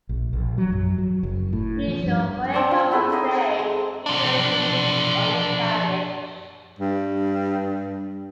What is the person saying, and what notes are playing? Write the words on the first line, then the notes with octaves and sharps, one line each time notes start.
Unusual for aircraft of its day, it featured a wheeled undercarriage.
A#1
A#1
F#3
F#2
F#3
F#1
A2
F3
G2
C4 D5 A5
F4
E4 G#4 A4
D#4 D#5
G#3
F3 D4
G2